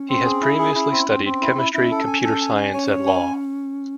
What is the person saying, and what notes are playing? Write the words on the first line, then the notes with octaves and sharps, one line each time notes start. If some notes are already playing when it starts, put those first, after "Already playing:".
He has previously studied Chemistry, Computer Science and Law.
Already playing: C#4
C4
G#4
E4
G#4
C#4 E4
C4
C4
C4
E4
E4
C#4 E4
A4
G#5
A4
G#5
G#5
C#4 C#5
C#5
G#5